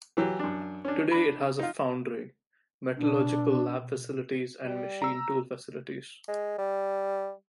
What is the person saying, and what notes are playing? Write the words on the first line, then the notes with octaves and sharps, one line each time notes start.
Today it has a foundry, metallurgical lab facilities, and machine tool facilities.
E3 F#3 G4
F#2 D4
C#4 D4
D4 B5
D#4 F4
B2 D4
G3
A#5 E6
G#3
G3